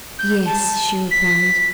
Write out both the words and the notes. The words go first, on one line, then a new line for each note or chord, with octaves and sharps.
"Yes!" she replied.
G6
A5
B6